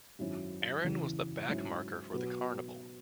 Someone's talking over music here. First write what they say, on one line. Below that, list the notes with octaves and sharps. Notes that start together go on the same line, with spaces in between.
Aaron was the backmarker for the carnival.
G#1 F#2 F#3 C#4 E4
E2 C#3 E3
G#2 F#3 C#4 E4
B2 F#3 B3